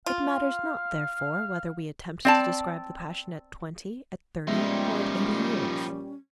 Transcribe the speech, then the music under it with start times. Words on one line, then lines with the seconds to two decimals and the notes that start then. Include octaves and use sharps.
It matters not therefore whether we attempt to describe the passion at twenty, at thirty, or at eighty years.
0.06 F4 F5
2.25 C4 D5 A5
4.48 A#2 F3 G3 G#3 B3 C#4 D#4 E5